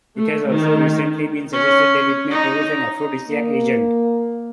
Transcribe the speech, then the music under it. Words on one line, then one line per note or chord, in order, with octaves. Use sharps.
It has also recently been suggested that it may produce an aphrodisiac agent.
A3
D#3
C#4
D#4
A#3